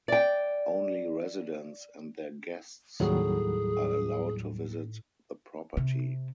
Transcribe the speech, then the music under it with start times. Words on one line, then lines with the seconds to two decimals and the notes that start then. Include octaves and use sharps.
Only residents and their guests are allowed to visit the property.
0.08 D5 G5
3.00 D#2 A2 F#3 G3 G#4
5.77 C3